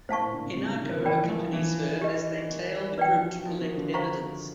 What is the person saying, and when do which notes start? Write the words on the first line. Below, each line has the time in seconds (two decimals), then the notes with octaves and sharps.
Hinako accompanies her as they tail the group to collect evidence.
0.09 A2 C5 F5 A5 C#6
0.21 A#2
0.33 D3
0.45 C#3
0.56 C3
0.69 D3
0.81 D#3
0.93 D#3
1.05 E3 A#4 D5 G5 B5
1.21 F3
1.38 F3
1.53 E3
2.02 G4 B4 D#5
2.50 D#3
2.98 E3 B4 D5 G5
3.13 F3
3.30 F#3
3.46 F3
3.61 D#3
3.77 D3
3.94 C5 F5 A#5 C#6